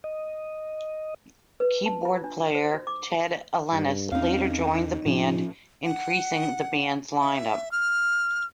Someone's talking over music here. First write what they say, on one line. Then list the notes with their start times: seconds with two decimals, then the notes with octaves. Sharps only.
Keyboard player Ted Ellenis later joined the band increasing the band's lineup.
0.04 D#5
1.60 B4
1.86 A5
2.05 F4
2.24 D4
2.55 C5
2.74 F#4
2.87 D6
3.73 G2
4.12 E2 C4 C#4 D#4 F5
5.06 A2 F3 C#4
5.84 F#5
7.21 E5
7.71 F6